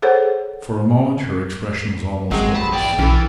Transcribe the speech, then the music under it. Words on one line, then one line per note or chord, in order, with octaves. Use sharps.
For a moment her expression was almost hopeless.
G#4 A4 C5 C#5 F#5
G#1 F#3 G#3 C4 G#4
A5 B5
E2 D5 G5
B1 E3 C#4 A4